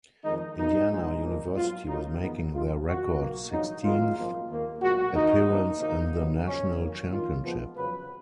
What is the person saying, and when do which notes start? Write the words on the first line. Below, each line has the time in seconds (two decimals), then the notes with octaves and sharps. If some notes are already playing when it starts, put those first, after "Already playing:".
Indiana University was making their record sixteenth appearance in the national championship.
0.23 F2 D#3 G#3 D#4
0.56 B1 B2 A#3 D#4
0.89 A#1 A#2 G#3
1.21 B1 A#2 F3 A#3
1.54 G#2 F#3 B3 F4
1.87 D#2 C#3 F#3 A#3 D#4
2.20 F2 D#3 G#3 B3 D#4
2.52 G#1 F#2 F3 G#3 F4
2.85 G#1 F#2 D#3 F#4
3.18 B1 B2 A#3
3.50 A#1 G#2 D#3 F#3 D#4
3.83 G#1 F#2 D#3 G#3 B3 F4
4.16 G#1 F#2 F3 A#3
4.49 D#2 D#3 A#3
4.81 B1 A#2 G#3 F#4
5.14 D#2 D#3 A#3 D#4
5.47 F#2 F3 A#3
5.80 G#2 D#3 A#3 D#4
6.12 C#2 B2 F#3 B3
6.45 F#2 C#3 F3 C#4
6.78 F#2 D#3 F#3 A#3
7.10 F2 D#3 F#3 A#3 F4
7.43 F2 F3 G#3 B3
7.75 F2 C#3 F#3 B4